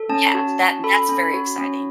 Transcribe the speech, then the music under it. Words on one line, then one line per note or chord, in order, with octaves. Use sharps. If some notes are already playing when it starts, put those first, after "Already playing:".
Yeah, that that's very exciting.
Already playing: A4
C#4 A5
F#4
C#4
A4 B5
C#4
F#4
C#4